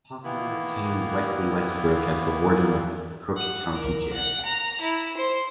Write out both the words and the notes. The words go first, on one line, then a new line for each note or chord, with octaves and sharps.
Hoffman retained Wesley Westbrook as the warden of Cook County Jail.
D#3 E3 A#3 B3 E4
F#5
A#4
F#5
A#5
E4
C5